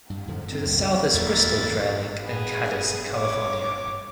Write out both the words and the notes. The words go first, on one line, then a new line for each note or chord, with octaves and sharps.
To the south is Bristol Dry Lake and Cadiz, California.
G2
F2 G#2 D3 F3
B3 C4
C#2 F#2 A2
E2 A#2 E3 A6
B3 G#4
C#5 D6